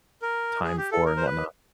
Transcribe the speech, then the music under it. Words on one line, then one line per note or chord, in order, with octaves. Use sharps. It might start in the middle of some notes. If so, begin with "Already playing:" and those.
time for and whatnot.
A#4
G#4
G4
A4
A#4
C5
B4